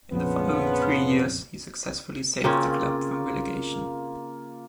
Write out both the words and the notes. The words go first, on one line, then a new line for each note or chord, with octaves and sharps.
In the following three years he successfully saved the club from relegation.
A#1 F2 C#3 F3 B3
C#3 A#3 C4 C#4 F4